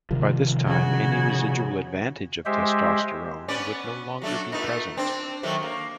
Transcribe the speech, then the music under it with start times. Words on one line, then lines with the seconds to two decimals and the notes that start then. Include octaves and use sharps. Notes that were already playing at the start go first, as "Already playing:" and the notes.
By this time any residual "advantage" of testosterone would no longer be present.
0.11 C3 D#3 F3
0.64 C#3 F#4
2.46 G#3 G4 C5 E5
3.48 B3 C#4 D5
4.22 F#3 A3 D4
4.52 A#2 A3 D#4
4.97 C4 D4
5.43 D#3 F#3 A3
5.63 A#3